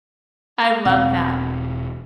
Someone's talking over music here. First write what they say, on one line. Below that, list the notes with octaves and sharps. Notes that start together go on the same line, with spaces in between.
I love that.
E1 B2 C4 F5 F#5